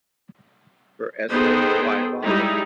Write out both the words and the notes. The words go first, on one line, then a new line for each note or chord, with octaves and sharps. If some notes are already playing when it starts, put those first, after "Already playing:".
Her essay Why Bother?
B3 D#4 G#4 A4 C5 G5
G3 G#3 D#4 E4